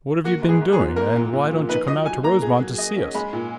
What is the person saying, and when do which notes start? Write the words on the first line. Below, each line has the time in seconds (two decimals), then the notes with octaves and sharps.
What have you been doing, and why don't you come out to Rosemont to see us?
0.24 A#3 F#4
0.42 G#2
0.49 G#4
0.61 G#2
0.73 G#4
0.79 F3
0.96 A#3 A#4
1.15 A#2
1.33 A#2
1.52 F3
1.69 D#4 B4
1.88 F#3 D#5
2.06 F#3 G#5
2.23 A#3 A#5
2.42 G#4
2.60 F#3
2.78 D#5
2.96 C#4
3.14 G#3 B5
3.33 A#2